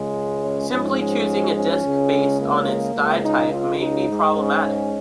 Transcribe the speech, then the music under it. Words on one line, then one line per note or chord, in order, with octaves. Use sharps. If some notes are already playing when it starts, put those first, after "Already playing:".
Simply choosing a disc based on its dye type may be problematic.
Already playing: C#2 C#3 G#3
C#4
G#2 F3 G#3 C#4
C#4
C#4
C#2 C#3 G#3
A#3
C#2 C#3 G#3
D#4
F4
D#4
G#2 G#3
C#4